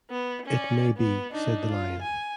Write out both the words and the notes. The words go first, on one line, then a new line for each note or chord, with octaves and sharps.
"It may be," said the Lion.
B3
C#4 D5
B3
D4 D#4
F4
G#5